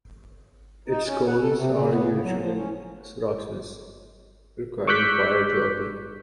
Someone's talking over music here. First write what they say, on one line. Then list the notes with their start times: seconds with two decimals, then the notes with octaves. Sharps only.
Its cones are usually serotinous, requiring fire to open.
0.88 D#4
1.07 C#4
1.27 F#5
1.42 A4
1.57 C3
1.72 C#3
1.90 B3
2.11 C#3
2.23 F#3
2.39 F3
2.56 C#4
4.87 C#6 D6 E6 F#6 G6 B6